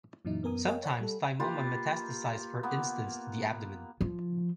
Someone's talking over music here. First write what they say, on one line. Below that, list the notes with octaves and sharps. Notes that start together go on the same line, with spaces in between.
Sometimes thymoma metastasize for instance to the abdomen.
F#2 A#2 E3 F#3 D#4 E4
F#2 B3 A#4 G#5 D#6
A#4 C#5 D#5 F5 G5 G#5
C#5 D5 F#5 G#5 B5
G3 A4
A#3 F4 G4 B4
A#3 B3
F3